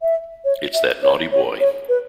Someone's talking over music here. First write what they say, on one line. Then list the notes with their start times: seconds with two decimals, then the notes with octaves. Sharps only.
It's that naughty boy.
0.02 E5
0.45 C#5
0.74 E5
1.03 C#5
1.32 C#5
1.60 C#5
1.89 B4